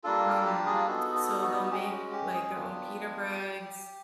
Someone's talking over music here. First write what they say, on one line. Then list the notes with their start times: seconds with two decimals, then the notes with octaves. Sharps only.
um so they'll make, like, their own pita breads,
0.04 G3 A#3 D4 F4 A4
0.25 A4
0.45 G4
0.66 G#4
0.87 B3 D#4 F#4 A4
1.15 A4
1.43 F#4
1.70 G#3 C#4 F#4 G4
1.92 F#4
2.12 G4
2.34 G#4
2.54 B3 D4 F4 G4